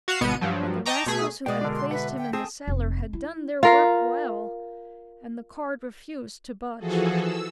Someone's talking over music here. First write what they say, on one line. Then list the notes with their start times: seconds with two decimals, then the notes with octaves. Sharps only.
But the rascals who had placed him in the cellar had done their work well, and the cord refused to budge.
0.08 F#4 F5 F#5 C7 E7
0.21 G#1 B2 B3 C#7 D#7
0.41 G2 F3 F#3
0.86 D#5 G5 A5 A#5 C#6 D6
1.06 B2 A3 G#4 B6
1.46 B2 G#3 D5 G5 D#6
1.61 D3 D4 G#4 A#4
1.76 C6
1.91 B4 E5 F#5
2.18 G5
2.33 C4 G#4 G5 A5 D#6
2.67 F1
3.13 E4
3.63 F4 A#4 F5
6.78 E3 F3 F#4 G#4 A4
7.18 E6